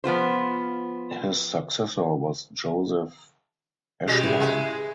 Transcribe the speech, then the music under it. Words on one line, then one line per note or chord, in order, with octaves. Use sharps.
His successor was Joseph Eschborn.
F3 B3 F4 C5
B2 G3 G#3 C#4 G4 D#5
C#3 E4 G#4 B4 E5
G#3